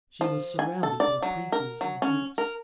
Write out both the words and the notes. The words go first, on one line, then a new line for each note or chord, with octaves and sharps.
She was surrounded by princes and dukes.
F3
G#5
A4
D5
F#3
A#4
F#3
C#4
A#4